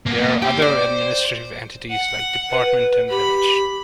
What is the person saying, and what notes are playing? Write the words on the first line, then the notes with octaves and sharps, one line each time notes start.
There are other administrative entities like department and village.
A#3 B3
G4 C#5 G5
C5 D5
F#5
B4
G4 B5